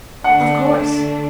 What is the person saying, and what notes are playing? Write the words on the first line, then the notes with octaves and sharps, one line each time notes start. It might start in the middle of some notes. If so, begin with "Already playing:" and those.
'Of course!
D3 A3 D4 F#5